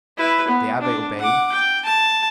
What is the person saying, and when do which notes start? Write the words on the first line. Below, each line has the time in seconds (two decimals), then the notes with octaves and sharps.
The abbe obeyed.
0.18 E4 B4
0.48 B3
0.81 D4
1.19 F#5 D6
1.52 G5
1.85 A5